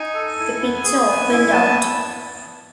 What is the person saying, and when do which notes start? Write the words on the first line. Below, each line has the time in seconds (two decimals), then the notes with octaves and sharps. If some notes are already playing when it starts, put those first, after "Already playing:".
The picture opened out.
Already playing: D#4 G#5
0.15 A4
0.38 E4
0.61 B3
0.84 G#4
1.07 B3
1.29 E4 G#5
1.52 B3 A5